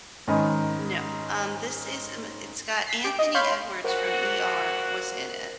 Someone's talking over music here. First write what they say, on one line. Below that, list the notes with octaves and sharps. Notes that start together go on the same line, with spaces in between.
No. Um, this is, em it's got Anthony Edwards from ER, was in it
G#2 D#3 C#4 D#5 A#5 B5
B6 C7
G4 D7
D#5
C#5 F5 B5 C6 G6
A#2 F#4 A#4 C5 F#5